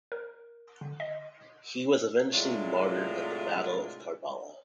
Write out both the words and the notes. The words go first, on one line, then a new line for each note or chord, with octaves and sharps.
He was eventually martyred at the Battle of Karbala.
A#4
D3
D#5
A2 C3 F#3 G#3 D4 F4